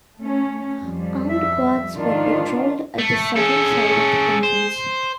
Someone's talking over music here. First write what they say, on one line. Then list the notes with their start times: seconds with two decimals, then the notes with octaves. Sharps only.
Armed guards were patrolled at the southern side of the entrance.
0.19 A3 C#4
0.79 F2 G3
1.29 E5
1.97 G#2 D#3 D4 F4
2.98 A3
3.36 C#4 G#4 A4
4.43 C5